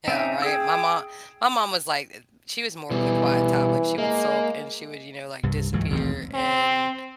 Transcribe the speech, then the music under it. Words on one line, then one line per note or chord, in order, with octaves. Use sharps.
Yeah, right. My mo my mom was like she was more of the quiet type. Like, she would sulk and she would, you know, like, disappear and
C4 C#4 D#4 E5
G#4 G5 E6
B2 E3 G3
G#3 A#3
C2 G2
C#2 G#2 E3 F#3
A1 D#2 B2 C4
C4